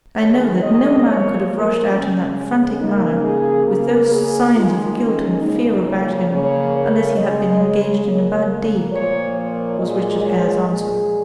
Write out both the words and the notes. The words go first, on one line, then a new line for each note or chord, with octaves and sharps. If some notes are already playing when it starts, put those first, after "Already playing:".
"I know that no man could have rushed out in that frantic manner, with those signs of guilt and fear about him, unless he had been engaged in a bad deed," was Richard Hare's answer.
D#3 G#3 C#5
D#5
A#2 F3 A#3 C#5
A#4
C#3 G#3 C#4
C#4
C#3 A#3 D#4
G#4
C#3 A#3 A#4
G#4
D#3 G#3 F4
C#4
C#3 F3 A#3 D#4
C#5
C#3 A#3 C#5
C#5
C#3 G#3 D#5
C#5
C#3 A#3 C#5
A#4
A#2 F3 A#3 C#5
C#5
A#2 G#3 D#5
C#5
A#2 G#3 G#4